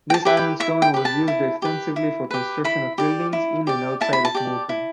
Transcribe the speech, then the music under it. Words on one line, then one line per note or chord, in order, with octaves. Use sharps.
This ironstone was used extensively for construction of buildings in and outside of Moulton.
G5
A5
G4 B4 E5
G5
E4 E5
G5
G4 B4
A5
E4
G4 B4
E4
G4 B4
E4 B5
G4 D5
E4
G4 D5
E4 A5
B5
A5
G4 D5
E4